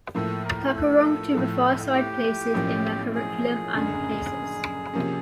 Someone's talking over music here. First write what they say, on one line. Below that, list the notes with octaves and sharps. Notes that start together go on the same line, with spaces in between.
Tacurong to the far side places in their curriculums and places.
A2 F3 A#3 A4
A#4
A4
A2 F3 A3
G4
B1 A2 F3 A#3 C#4
G#4
F#1 F#2 D3
C3 F3 A#3 C#4